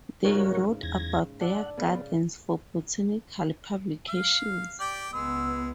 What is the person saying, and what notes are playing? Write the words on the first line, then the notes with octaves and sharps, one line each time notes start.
They wrote about their gardens for botanical publications.
G#2 C#3 F#4 A#4 C#5
E2 G#6 A#6
D4 E5 F#5
C#3 B3 D5
F5
G4 D5 G5
C#2 G#3 B3 E6